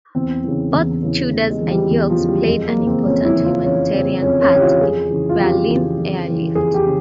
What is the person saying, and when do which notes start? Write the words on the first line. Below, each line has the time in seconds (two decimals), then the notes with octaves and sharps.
Both Tudors and Yorks played an important humanitarian part in the Berlin Airlift.
0.15 E2 C4
0.44 C#3 E3
0.74 E2
1.03 C#3 E3
1.32 E2
1.51 G#3
1.61 C#3 E3
1.70 G3
1.90 E2
2.09 F3
2.18 C#3 E3
2.29 G3
2.47 F2 G#3
2.67 A#3
2.77 C#3 E3
2.87 C4
3.06 F2 C#4
3.25 E4
3.35 C#3 E3
3.44 F4
3.64 F2 C#4
3.93 C#3 E3 C4
4.22 F2 C#4
4.42 C#4
4.52 C#3 E3 G4
4.61 F4
4.81 F2 G#4
5.10 C#3 E3
5.29 F4
5.39 F2 G4
5.68 C#3 E3
5.98 F2
6.27 C#3 E3
6.55 F2 G#4
6.74 G4
6.85 C#3